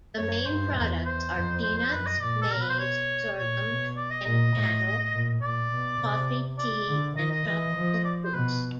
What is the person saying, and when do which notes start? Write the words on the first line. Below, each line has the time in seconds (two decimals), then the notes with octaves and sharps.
The main products are peanuts, maize, sorghum and cattle, coffee, tea and tropical fruits.
0.17 F#2 C#5
0.45 G2 C5
0.75 E2
1.04 C5
1.33 F2
1.63 C5
1.77 C5
1.92 F#2 B4
2.06 D#5
2.21 A#2 D5
2.42 A4
2.50 B2 A#4
2.61 B4
2.70 C5
2.79 C#5
3.38 A#2 C#5
3.67 B2
3.96 D5
4.10 D#5
4.25 A#2 D#5
4.54 A2
5.13 A#2
5.41 A#2 D5
5.71 B2
6.00 C3
6.58 D5
6.88 D3
7.17 D#3 D#5
7.31 D#5
7.46 E3 D#5
7.75 F3
8.04 D5
8.24 C5
8.34 B2 B4